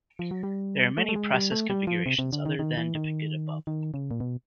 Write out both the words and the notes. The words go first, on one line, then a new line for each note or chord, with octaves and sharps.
There are many process configurations other than that depicted above.
F3
F#3
G3
A3
A3
G#3
G3
A3
G3
F3
C3
C3
D3
D#3
D#3
E3
D#3
D#3
C#3
A#2
B2